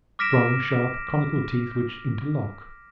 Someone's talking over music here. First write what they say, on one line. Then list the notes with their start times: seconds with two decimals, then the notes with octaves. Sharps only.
Strong sharp conical teeth which interlock.
0.19 D6 F6 A#6 B6 D7 E7